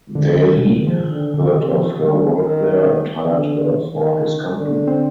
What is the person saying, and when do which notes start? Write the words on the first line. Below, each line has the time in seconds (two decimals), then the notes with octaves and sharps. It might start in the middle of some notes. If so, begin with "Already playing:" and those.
Daly heard of her work there and hired her for his company.
0.15 G#2 D3
0.36 D#3
0.57 C3
0.77 G#2 D#3
0.87 F3
0.96 D#3
1.09 D3
1.34 D3
1.41 C3 D#3
1.72 F3
2.04 D3 G3
2.35 D#3
3.30 D3
3.93 D#3
4.56 D3
4.71 A#3
4.87 C4